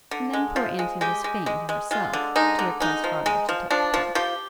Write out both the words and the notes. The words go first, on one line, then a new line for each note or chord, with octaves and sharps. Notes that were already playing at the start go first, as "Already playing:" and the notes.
And then poor aunty was fain, herself, to request Harleigh to take the part.
D3
G#3
F3
G#3
G#3 G4
G#3
G#3
G#3
G#3 F4
D3
G#3 D#4
D3
G#3 D#4
F3
G#3
F3
F3 D4
F3
F3 G4